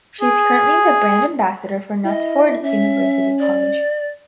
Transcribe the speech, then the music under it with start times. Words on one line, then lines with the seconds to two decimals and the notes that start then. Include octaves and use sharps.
She is currently the brand ambassador for Knutsford University College.
0.21 G#4
2.05 E4 D#5
2.63 C#4 E5
3.38 D5